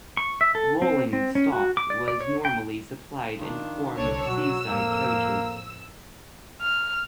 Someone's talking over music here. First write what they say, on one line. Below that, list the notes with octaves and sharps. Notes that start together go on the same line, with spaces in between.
Rolling stock was normally supplied in the form of seaside coaches.
C#6
E5
A4
C4
C4
C#4
F#4
D6
D5
D5
C#5
G5
D#3 D4 F4
C2 D3 D4 C#5 A5
B2 F#3 F#4 E6
F2 A2 A#3
F6